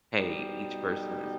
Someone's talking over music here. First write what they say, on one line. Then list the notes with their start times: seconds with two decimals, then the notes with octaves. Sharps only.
hey, each person is
0.19 B2 G3 D#4 G4